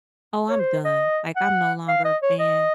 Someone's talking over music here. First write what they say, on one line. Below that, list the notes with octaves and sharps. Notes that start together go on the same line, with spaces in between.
"Oh, I'm done. Like, I'm no longer a fan."
C#5
C5
D#5
F#5
F5
D#5
C#5
D#5